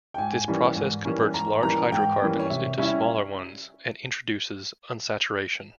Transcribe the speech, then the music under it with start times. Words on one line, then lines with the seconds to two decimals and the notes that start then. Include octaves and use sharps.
This process converts large hydrocarbons into smaller ones and introduces unsaturation.
0.14 G5
0.18 G#2 G#5
0.48 E3 G3 A#3 C#4
0.76 G#2
1.05 E3 G3 A#3 C#4
1.34 G#2 A#5
1.63 E3 G3 A#3 C#4 A#5
1.91 G#2 G5
2.21 E3 G3 A#3 C#4
2.39 C#5
2.50 C3 E5
2.78 G3 C#4 E4 E5